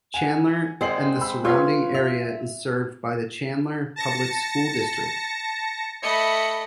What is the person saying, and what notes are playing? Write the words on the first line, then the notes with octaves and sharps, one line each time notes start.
Chandler and the surrounding area is served by the Chandler Public School District.
F#5 G#5
G#1 G#3 C4 C7 F#7
B5 E6
F4 B4 C#5
E5 F7
A5 A#6 C#7
A3 D#5 B5 C#7